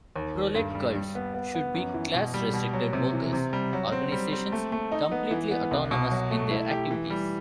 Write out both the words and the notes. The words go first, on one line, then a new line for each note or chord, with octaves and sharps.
'Proletkults' should be class-restricted, workers' organizations, completely autonomous in their activities.
D#2
D#3
G2
G3
G3
B3
B3
B3
F#2
E3
B2
G3
B2
F#3
C3
E3
C3
G3
F#3
C4
G3
C4
A3
A3
D#4
B3
E3
B3
C2
B2
F#3
A3
E4
G4
E3
G3